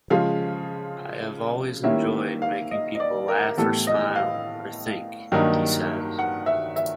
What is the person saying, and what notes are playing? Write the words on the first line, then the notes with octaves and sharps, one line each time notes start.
I have always enjoyed making people laugh or smile or think, he says.
C#3 F3 G#3 F5
D#3 G3 A#3 C#4 E4 E5
F5
D#5
D#5
D5
A#4
A2 E3 G3 B3 A4
D#5
F5
G2 D#3 F#3 A#3 D#4
F#5
E5
E5